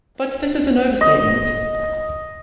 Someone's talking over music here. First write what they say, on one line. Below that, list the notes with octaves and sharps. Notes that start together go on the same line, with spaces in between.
But this is an overstatement.
D#5